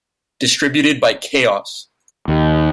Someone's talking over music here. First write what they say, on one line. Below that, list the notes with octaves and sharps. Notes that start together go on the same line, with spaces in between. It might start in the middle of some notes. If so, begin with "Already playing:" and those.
Distributed by Chaos!
D#2